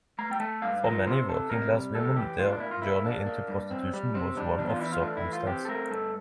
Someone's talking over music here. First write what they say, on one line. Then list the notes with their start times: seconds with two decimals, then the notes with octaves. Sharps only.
For many working class women their journey into prostitution was one of circumstance.
0.19 A3 A#5
0.31 G5
0.40 A3 A5
0.62 G2 F5
0.84 F3 A#4
1.06 C3 C5
1.29 C3 A4
1.50 C3 A#4
1.72 G3
1.95 A2 A4
2.16 E3 G4
2.38 A2 F4
2.50 D4
2.60 A#3 E4
2.71 F4
2.82 A#3 E4
3.05 A#3 D4
3.26 A#3
3.48 G2
3.71 C4
3.93 G3
4.14 C3 C4
4.37 G3 D4
4.59 E2 D4
4.69 F4
4.76 D4
4.81 E3 E4
4.92 F4
5.02 A3 D4
5.17 E4
5.24 E3
5.33 F4
5.46 C4 G4
5.65 A4
5.69 A3 A#4
5.90 G2 A4